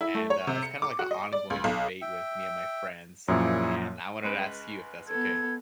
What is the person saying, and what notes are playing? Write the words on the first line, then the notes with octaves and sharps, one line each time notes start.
and, uh, it's kinda like an ongoing debate with me and my friends, and I wanted to ask you if that's okay.
E4
A3
C#5
C3
C#7
D6
F#4
D#5
D5
C#2
B1
E5 G5
F#2 A#2 F3 E4 G#4 C#5
C#2 G#3 B4
B3 A4 G#6